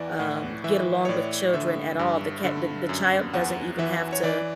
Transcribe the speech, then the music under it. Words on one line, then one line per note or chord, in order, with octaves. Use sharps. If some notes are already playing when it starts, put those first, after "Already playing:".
um, get along with children at all. The cat the the child doesn't even have to
Already playing: E2 E3 D5
A2 F#5
E3 E5
C#5
A2 D5
D3 E5
G2
D3
F#2
E2 F#5
E3 E5
C#5
E3 D5